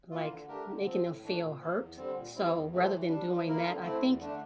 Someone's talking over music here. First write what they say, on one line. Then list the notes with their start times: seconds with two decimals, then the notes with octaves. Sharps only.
like, making them feel hurt, so rather than doing that, I think
0.11 E3 A#3 F4
0.29 D3
0.48 A3 D4 G4 A#4
0.66 D3
0.85 F3 C4
1.04 A2
1.23 E3 A3 D4
1.41 A#2
1.60 F3 A#3
1.78 E2
1.97 D3 G3 C4
2.16 A#2
2.34 G3 C4 E4
2.53 E2
2.71 C3 F3 A3 C4
2.90 E3
3.08 G3 D4
3.27 F3
3.46 A#3 E4 A#4
3.64 D3
3.83 A3 C4 E4
4.02 E2
4.20 D3 A3 D4